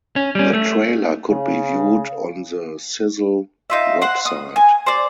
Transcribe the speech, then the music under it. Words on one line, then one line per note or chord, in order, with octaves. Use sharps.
The trailer could be viewed on the Zizzle website.
C#4
G3 C#4
A3
C#3
D#4 F4 E5
C5 F#5 C6
D#6
G#5
C5 D5